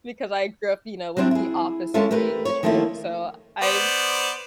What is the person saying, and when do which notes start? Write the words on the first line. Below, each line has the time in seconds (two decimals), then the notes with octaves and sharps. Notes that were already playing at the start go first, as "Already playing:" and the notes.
because I grew up, you know, with the opposite being the truth. So I've
1.17 F#3 G3 C4 D4 E4
1.31 E4 G#4
1.94 G#3 C#4 F4 A4 E5
2.11 A3 G4 A#4 B4
2.45 C#5
2.63 D#3 F3 A3 A#3 D#4 E4
3.62 B3 C5 D5